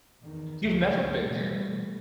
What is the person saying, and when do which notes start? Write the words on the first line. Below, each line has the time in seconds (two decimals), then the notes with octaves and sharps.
you've never been there,
0.22 E2 D#3
0.65 C#2 F#2 A#3
1.26 B2 E3 G3 A3